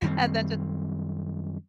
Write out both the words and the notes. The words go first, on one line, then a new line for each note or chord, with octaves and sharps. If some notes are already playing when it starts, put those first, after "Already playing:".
and then, ju
F#2 D#3 G3 C4